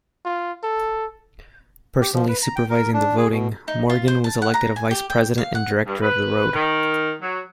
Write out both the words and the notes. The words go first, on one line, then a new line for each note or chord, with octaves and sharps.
Personally supervising the voting, Morgan was elected a vice-president and director of the road.
F4
A4
G4
F3
B4
A#5
G5
A#4
D4
G#4
B2
D#4
F4
C5
A5
F#5
A#5
G#5
G4
G5
F5
F#5
G2
B4
D#3
F#3